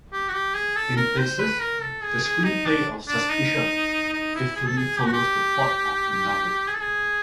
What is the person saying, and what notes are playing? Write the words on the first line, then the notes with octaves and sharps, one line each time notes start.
In places, the screenplay of "Suspicion" faithfully follows the plot of the novel.
G4
F#4
G4
G#4
A4
A#4
C5
B4
A#4
A4
G#4
G#4
D#4
D4
D4
D#4
D#4
E4
G#4
A4
G#4
G4
F#4
G4
G#4
A4
G#4